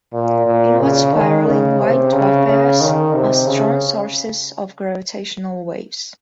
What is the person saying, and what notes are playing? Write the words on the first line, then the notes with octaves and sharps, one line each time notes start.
Inward spiraling white dwarf pairs are strong sources of gravitational waves.
A#2
A#2
C#3
D#3
C#3
C3
C#3
C#3
D#3
C3
C#3